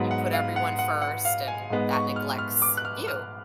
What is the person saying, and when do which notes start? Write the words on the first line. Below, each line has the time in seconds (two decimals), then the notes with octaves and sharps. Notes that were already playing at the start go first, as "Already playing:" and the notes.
You put everyone first and that neglects you.
Already playing: G#2 F#3 B3
0.11 F#5
0.33 F5
0.56 F#5
0.79 F#5
1.02 F#5
1.25 F5
1.48 G#5
1.70 G#2 G#3 B3
1.93 C#6
2.16 F6
2.38 F6
2.62 D6
2.77 F#6
2.85 F6
3.07 F6